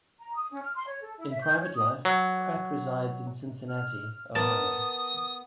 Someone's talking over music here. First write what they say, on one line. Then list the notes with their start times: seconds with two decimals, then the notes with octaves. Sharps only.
In private life, Pratt resides in Cincinnati, Ohio.
0.19 A#5
0.34 D#6
0.50 C#4
0.62 F6
0.75 C6
0.86 C#5
1.02 A4
1.18 E4
1.29 E5
1.41 G6
1.60 C#5
1.75 D#6
2.05 F#3
3.69 F6
4.35 B3 A#4 A5 D#6